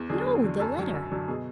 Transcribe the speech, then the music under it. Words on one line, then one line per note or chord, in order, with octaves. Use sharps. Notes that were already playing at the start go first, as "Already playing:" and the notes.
"No; the letter."
Already playing: E2
D3 F#3 G#4
E2
D3 F#3
F#2 A4
D3 F#3
F#2
D3 F#3
B2 G#4